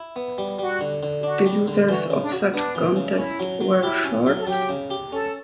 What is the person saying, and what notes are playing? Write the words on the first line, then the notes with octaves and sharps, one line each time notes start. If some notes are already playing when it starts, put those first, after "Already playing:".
The losers of such contests were shot.
Already playing: E4
B3
G3
G3 F#4
D3
D3
G4
D4 F#4
G3
D3
E3 F#4
C#3
D4
F#4
B3 D4
E3
C#3
D4
C#4 E4
F#3
F#3
F#4
E4 G4
C#4
F#3
A4
F#3 G4
C#3
G4
C#4 A4